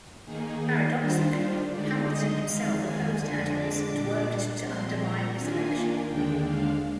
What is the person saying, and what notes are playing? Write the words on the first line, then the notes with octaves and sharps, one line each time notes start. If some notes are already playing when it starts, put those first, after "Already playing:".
Paradoxically, Hamilton himself opposed Adams and worked to undermine his election.
D#3 A#3 D#4 G#4
D#3 G3 D4 F4 C5
D3 G#3 D#4 D5
D#5
F2 D#3 G#3 F5
G#5
F2 D3 G#3 D4 G#5
D6
A#2 G3 D4
A#2 F3 C4 C6
A#5
D#3 A#3 D4 F4 G#5
D#2 D3 G#3 D4 G5
F5